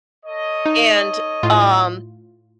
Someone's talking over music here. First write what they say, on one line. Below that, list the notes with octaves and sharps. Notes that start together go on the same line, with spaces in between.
and, um,
A4 C#5 D#5
D#4
A2 F4